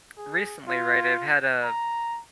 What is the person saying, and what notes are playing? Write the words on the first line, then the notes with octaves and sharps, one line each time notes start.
recently, right, I've had a
G#4
F4
A#5